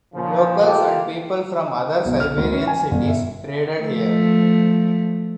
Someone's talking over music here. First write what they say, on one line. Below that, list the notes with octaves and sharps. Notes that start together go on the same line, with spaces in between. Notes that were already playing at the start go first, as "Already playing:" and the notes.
Locals and people from other Siberian cities traded here.
A#2 C#3 F3
A#3 F4 G4 A4
B1
F6
D2
C#4
G#5
G1
E5
F3 A3